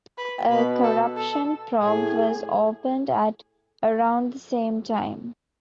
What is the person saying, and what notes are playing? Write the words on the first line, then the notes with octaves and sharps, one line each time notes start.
A corruption probe was opened at around the same time.
B4
B2 B4
A4
A4
A2 G#4